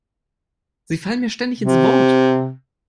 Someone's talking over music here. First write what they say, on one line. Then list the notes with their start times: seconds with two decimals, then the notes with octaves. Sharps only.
Sie fallen mir ständig ins Wort.
1.60 C3